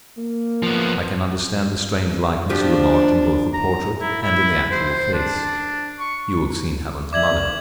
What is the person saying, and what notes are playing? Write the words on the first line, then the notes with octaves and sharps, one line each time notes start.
I can understand the strange likeness you remarked in both the portrait and in the actual face; you have seen Helen's mother.
A#3
F3 B3
F3 D4 F#4 G4
A#5
E4
E4
C5
D4
C#6
D5 E5 D6 G#6 F#7